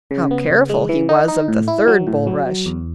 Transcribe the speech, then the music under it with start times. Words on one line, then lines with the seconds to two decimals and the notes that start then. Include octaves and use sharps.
How careful he was of the third bulrush!
0.11 C#3
0.31 B3
0.50 C#3
0.69 G#3
0.89 E3
1.09 D#4
1.28 D#4
1.48 A2
1.68 E4
1.88 F#3
2.07 A2
2.27 F#3
2.46 F#3
2.66 E2